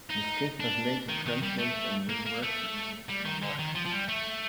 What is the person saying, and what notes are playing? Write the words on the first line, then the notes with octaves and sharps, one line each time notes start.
The strip was later translated and reworked for international markets.
D#4
D4
D#3
D#3
G3
A3
A#3
A#3
A3
G3
D#3
D3
D#3
F3
F3
G3
A3